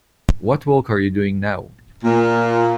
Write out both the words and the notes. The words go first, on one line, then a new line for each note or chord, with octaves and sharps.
What work are you doing now?
A#2